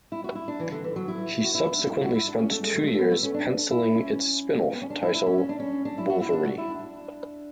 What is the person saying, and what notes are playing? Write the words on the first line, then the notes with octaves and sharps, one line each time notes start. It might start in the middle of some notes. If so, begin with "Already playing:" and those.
He subsequently spent two years pencilling its spin-off title "Wolverine".
E4
F#4
E4
D4
E3
D3
E3
F#3
E4
F#4
E4
D4
E4
E4
F#4
E4
D4
C#4
A3
G#3
A3
G#3
A3
B3
A3
C#4
D4
E4
C#4
B3
C#4
D4
E4
E4
C#4
C#4
D4
C#4
D4
E4
F#4
E4
D4
F#4
E4
D4